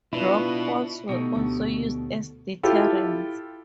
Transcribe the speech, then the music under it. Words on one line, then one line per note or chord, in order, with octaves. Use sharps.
Rock falls were also used as deterrents.
B2 D4 E4 F4 B4
B2 A3 D#4 G4
D2 G4 A5
E4 F4 G4 A4